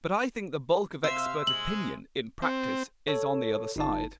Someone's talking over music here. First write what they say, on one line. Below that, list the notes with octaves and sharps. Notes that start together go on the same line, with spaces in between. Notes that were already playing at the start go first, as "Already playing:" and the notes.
But I think the bulk of expert opinion, in practice, is on the other side.
C3 C5 E5 F5 E6
C3 G#3 F#7
C4
A4 C#5
G1 D#4 A5